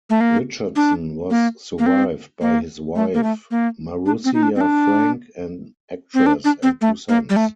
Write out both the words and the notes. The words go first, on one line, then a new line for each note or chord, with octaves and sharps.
Richardson was survived by his wife, Maroussia Frank, an actress, and two sons.
A3
A#3
D4
A#3
A#3
C4
A#3
A3
A#3
A3
A#3
D4
C4
D#4
D4
C4
D4
C4
D4
D4
C4
A3
A#3
G3
A3